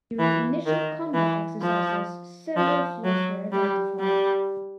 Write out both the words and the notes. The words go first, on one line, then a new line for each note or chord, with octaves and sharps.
During initial combat exercises, several flaws were identified.
E3
D#3
E3
F3
F3
F#3
G3
G3